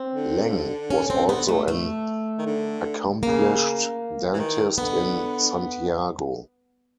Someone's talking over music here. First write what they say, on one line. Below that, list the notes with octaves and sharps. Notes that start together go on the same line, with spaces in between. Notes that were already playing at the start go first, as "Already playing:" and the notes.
Leng was also an accomplished dentist in Santiago.
Already playing: C4
D3
C#4
C4
B3
A3
A3
D#3
D3
C#3 A#3
E3
D#3
D3 B3